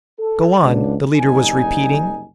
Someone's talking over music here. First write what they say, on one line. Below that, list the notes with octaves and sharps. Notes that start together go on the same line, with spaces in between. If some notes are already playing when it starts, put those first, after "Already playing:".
"Go on," the leader was repeating.
A4
C#2 G#2 D4
F#1 C2 G3 D#4 G#5